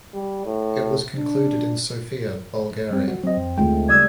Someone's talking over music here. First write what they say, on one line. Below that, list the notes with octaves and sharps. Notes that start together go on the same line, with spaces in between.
It was concluded in Sofia, Bulgaria.
G3
A2
D4
G3 C4
F#4
F#3 C4 D#5
F2
D2 G#3 A3 F4 G5
C#3 G3 D5 D#6 E6 G#6